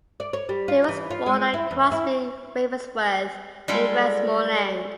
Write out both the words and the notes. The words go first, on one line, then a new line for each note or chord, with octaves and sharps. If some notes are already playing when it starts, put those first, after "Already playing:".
He was born at Crosby Ravensworth in Westmorland.
D5
C#5
G3
F4
E3
F4
G#3
E4
E2
E4
G3 G#3 F4 A4 G5